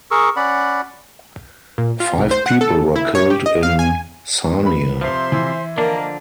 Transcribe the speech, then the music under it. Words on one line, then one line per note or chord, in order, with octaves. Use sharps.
Five people were killed in Sarnia.
G#4 A#4 C#6 E6
C#4 D5 F#5 B5
A#2
F4
C2
C5
F#5
A4
E4
C#5
G4
D#5
F5
G#5
B4 B5
C3 F3 C5 E5 C6
E3
D3 F3 A#3 D4 D#5